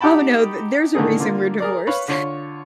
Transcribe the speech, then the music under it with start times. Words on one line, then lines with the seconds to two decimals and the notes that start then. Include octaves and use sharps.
Oh, no, th there's a reason we're divorced.
0.01 D#4 G4 F#5 G5 A5 B5
0.95 A2 D3 D#3 A3 A#3 G#4
1.20 D3 A#3 F4
1.60 G#4 A#4 D5
1.87 B4 C#5 F5
2.08 D3 F4 C#5